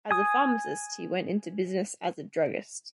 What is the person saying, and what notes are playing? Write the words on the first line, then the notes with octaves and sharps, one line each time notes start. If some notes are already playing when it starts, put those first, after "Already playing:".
As a pharmacist, he went into business as a druggist.
G#5 D#6